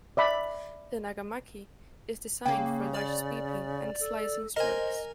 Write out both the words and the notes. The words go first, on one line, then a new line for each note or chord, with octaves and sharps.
The nagamaki is designed for large sweeping and slicing strokes.
D5 E5 B5
C#3 A#3 G5
D5
A4
A#4 C5 D#5 G#5